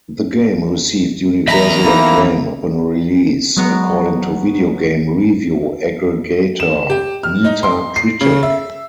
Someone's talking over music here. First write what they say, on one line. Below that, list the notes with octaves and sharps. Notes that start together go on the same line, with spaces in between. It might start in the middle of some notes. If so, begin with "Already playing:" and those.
The game received "universal acclaim" upon release according to video game review aggregator Metacritic.
E2 D#5 E5 A#5 B5
F3 A#3 D#4 E4
F#3 G#3 B3 A#5 C#6
E7
G4
F6
D#4
C6
C7
C#3
E5